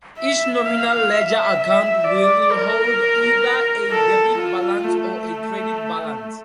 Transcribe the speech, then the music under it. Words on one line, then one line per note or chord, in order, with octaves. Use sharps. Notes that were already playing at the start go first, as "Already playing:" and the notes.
Each nominal ledger account will hold either a debit balance or a credit balance.
E5
F5
E5
E5
D5
A#4
A4
F4
A3